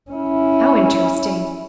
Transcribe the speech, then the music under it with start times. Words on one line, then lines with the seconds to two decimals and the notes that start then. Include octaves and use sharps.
How interesting!
0.11 C#4 E4